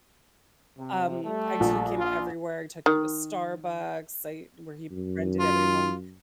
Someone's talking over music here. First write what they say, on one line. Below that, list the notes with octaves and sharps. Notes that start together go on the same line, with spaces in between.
um, I took him everywhere, I took him to Starbucks, I where he befriended everyone.
C3
G3 A3
A#1
F4
D#3
F#2
F4